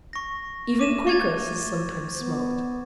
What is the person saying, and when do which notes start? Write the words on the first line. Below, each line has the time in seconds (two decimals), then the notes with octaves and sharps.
Even Quakeresses sometimes smoked.
0.13 C#6 A#6
0.79 A3 D6 D#7 E7
1.07 C#6 G#6 A6
1.72 C5
2.19 B3